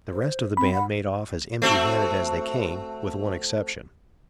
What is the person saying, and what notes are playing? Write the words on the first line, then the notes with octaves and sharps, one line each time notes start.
The rest of the band made off as empty-handed as they came, with one exception.
C5
C4 B5
F#5
A3 C4 F#4